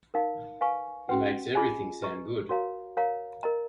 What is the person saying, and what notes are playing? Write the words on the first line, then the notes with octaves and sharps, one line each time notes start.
He makes everything sound good.
D#4 A#4 F5
B4 F5 G#5 C#6
C#4 F#4 B4 F#5
F4 G#4 D#5 G#5
B4 D#5 A#5 C#6
F#4 A#4 C#5 F5 A#5
A#4 C#5 F5 A#5
A#4 D#5 A#5